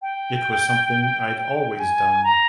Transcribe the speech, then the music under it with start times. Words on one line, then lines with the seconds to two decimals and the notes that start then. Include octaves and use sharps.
It was something I’d always done.
0.02 G5
1.80 G#5
2.24 A#5